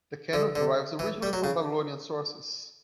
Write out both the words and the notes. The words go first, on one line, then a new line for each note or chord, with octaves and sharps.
The Canon derives originally from Babylonian sources.
D3
D3
E3
G3
F#3
C#3